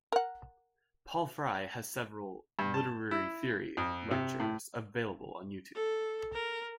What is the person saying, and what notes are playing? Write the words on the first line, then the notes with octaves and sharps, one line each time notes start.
Paul Fry has several 'literary theory' lectures available on YouTube.
A#4 F#5
G2
A5
E4
F2
C3
A2
A4
A#4